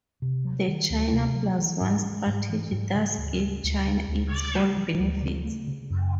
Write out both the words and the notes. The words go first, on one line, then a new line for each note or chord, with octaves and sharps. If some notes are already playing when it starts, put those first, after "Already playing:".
The China Plus One strategy does give China its own benefits.
C3
F#3
D#3
D2
C3
F#3
E3
G#2
G#3
G#2
E3
G#2
C#3
D2
F#3
D2
C#3
D2
C#3
A3
F3
D2
C#3
A3
C#3
F#2